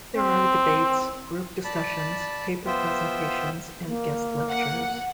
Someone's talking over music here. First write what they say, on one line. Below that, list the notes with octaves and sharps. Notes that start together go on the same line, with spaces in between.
There are debates, group discussions, paper presentations and guest lectures.
C4
D5 A5 B5
B3 F4 C5 E5 G5
A#3
F#5